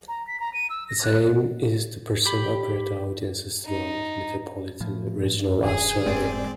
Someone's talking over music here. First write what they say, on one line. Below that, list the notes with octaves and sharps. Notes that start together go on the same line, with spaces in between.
Its aim is to present opera to audiences throughout metropolitan and regional Australia.
A#5
B6
A#5
D#7
E6
A#6
F#6
G4 B5
D#4
A2 F3
D#1 D#3 G#4
F1 G#2 C4 D5